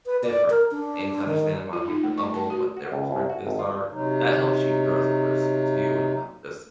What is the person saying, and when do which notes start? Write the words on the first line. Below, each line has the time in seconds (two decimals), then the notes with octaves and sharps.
different. And to understand them on a different level, what their perspectives are, that helps you grow as a person too, and not just,
0.06 B4
0.23 D5
0.50 A#4
0.71 D4
1.26 D#3
1.73 F4
1.88 D#4
2.03 A3
2.18 C#6
2.34 A5
2.50 F#4
2.77 F#4
2.92 C#2
3.11 C2
3.30 F#4
3.47 G#1
3.59 F4
3.91 C3 F#3 D#4